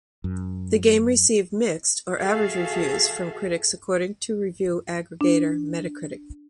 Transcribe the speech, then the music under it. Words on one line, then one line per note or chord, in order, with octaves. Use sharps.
The game received "mixed or average reviews" from critics according to review aggregator Metacritic.
F#2
F#4 G#4 A4 E5 F5
D4